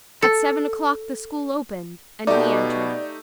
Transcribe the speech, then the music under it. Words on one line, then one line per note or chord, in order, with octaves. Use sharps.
At seven o'clock the school opened, and he entered.
A4
B2 A3 D#4 G4 D5